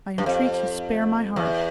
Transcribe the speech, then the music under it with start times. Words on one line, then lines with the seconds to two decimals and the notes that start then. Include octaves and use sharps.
I entreat you, spare my heart!
0.18 G2
0.26 F2
1.36 E2